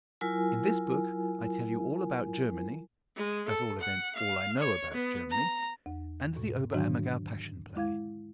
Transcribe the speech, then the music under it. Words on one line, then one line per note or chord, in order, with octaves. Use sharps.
In this book I tell you all about Germany--at all events, all I know about Germany--and the Ober-Ammergau Passion Play.
F#3 E4 F4 A#4 G#5
G#3
A4
F#5
F5
C#5
B3
A#5
E2
G#2 B2
G#2 D3 D#3 F#3 D4 F#4
G#3 E4 F5 G#6